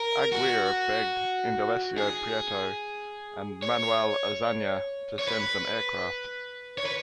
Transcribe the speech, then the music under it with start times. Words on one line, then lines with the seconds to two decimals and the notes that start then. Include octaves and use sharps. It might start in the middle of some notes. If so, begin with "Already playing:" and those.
Aguirre begged Indalecio Prieto and Manuel Azaña to send some aircraft.
Already playing: A#4
0.32 F#4
1.98 G#4
3.63 C#5
5.19 C#5
5.28 B4
6.78 C#5
6.86 B4